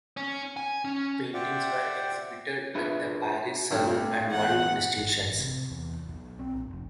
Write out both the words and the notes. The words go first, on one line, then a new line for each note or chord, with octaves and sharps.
Both paintings were exhibited at the Paris Salon and won distinctions.
C#4
G#5
C#4
G4 C5 D5 E5 F#5 G5
D4 E4 F4 G#4 B4 E5
C2 G2 C3 A3
E2 F#5
G#1
A1
C3
E2
B1
C4
A#1
F1